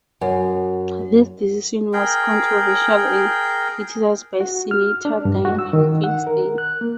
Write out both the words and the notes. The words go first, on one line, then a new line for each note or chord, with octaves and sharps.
This decision was controversial and criticized by Senator Dianne Feinstein.
F#2
G#4 A#4 G5
F#4
F6
D4
G2
F#4
E6
D#3
F#5
A#4
F#6
A#3